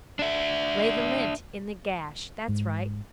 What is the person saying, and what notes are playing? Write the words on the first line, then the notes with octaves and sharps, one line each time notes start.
Lay the lint in the gash. That's right.
D4 E5
G#2